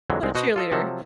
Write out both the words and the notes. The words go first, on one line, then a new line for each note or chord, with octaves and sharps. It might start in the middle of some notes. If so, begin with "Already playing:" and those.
What a cheerleader.
F2 D3 E3 F#3 G#3
C2 G#3 C4
B2 F#4 C5 D#5
F4 A4 D#5
C3 F3 F#3 A4